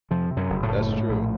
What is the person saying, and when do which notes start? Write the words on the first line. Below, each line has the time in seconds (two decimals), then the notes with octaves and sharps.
That's true.
0.11 F2 C3 F3
0.31 C3
0.37 F#2 F#3
0.50 F#1
0.63 A2 A3
0.69 F#1
0.89 G#2
1.09 A#1